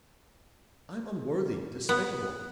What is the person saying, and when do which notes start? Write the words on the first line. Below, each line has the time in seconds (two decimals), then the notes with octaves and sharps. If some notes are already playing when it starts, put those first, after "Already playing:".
I'm unworthy, despicable.
1.89 B3